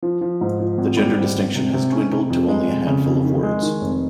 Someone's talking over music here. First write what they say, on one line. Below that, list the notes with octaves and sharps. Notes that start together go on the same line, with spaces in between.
The gender distinction has dwindled to only a handful of words.
F3
F3
G#2
F3
G#1
G3
G#2
G#1
C3
C3
C#4
C3
F2
G#3
F2
C#3
F2
D#3
G#3
D#3
F1